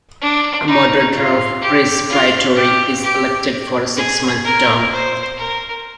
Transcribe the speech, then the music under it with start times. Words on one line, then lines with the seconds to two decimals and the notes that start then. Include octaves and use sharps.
A moderator of presbytery is elected for a six-month term.
0.21 D4
0.67 D#4
1.15 F4
1.61 G4
2.09 F4
2.55 G4
3.03 G4
3.97 G#4
4.44 A#4
4.91 C5
5.38 A#4